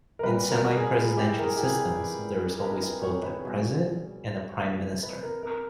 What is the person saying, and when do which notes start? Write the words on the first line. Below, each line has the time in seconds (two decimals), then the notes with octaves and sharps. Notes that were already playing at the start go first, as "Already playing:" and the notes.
In semi-presidential systems, there is always both a president and a prime minister.
0.19 A#4
0.23 A#2 G3 B4
0.51 A#4
0.77 G#4
1.03 G#4
1.17 G4
1.24 E4
1.39 A#4
1.44 G#4
1.56 G4
1.63 G#4
2.59 A#4
2.63 B4
2.83 B4
3.03 C#5
3.23 B4
3.42 B2 G3 G#4
5.03 B4
5.23 A#4
5.43 A#4